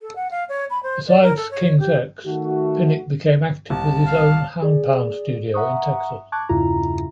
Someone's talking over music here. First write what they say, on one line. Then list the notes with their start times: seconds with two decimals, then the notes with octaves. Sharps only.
Besides King's X, Pinnick became active with his own Hound Pound studio in Texas.
0.01 A4
0.16 F#5
0.31 F5
0.49 C#5
0.70 B5
0.83 C5
1.08 D5
1.22 A#4
1.36 A4
1.51 C#5
1.79 G4
2.24 D#3 A3 F#4
3.70 C2 A5
4.06 F5
4.62 G#4 D5
5.54 E5 F#5 A#5 C#6 D#6
6.32 A5 C#6 D6 F#6 G#6
6.49 E2 G2 C#3 E4 F4 A#5